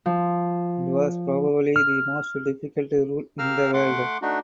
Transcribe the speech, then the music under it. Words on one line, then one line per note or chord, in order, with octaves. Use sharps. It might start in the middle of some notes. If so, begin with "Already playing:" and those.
It was probably the most difficult route in the world.
F3
F6
G4 A#4 F5 A#5 E6 F6
A3 F#5 C6 D6
A3 D4 D#4 F#4